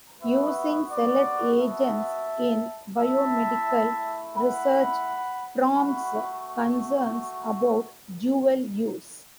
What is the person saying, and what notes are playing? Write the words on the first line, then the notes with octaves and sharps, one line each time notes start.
Using select agents in biomedical research prompts concerns about dual use.
B3 F#4 B4 E5
D5 F#5
E5 A5
A3 E4 E5 A5
F#5 B5
A3 F#4 F#5 B5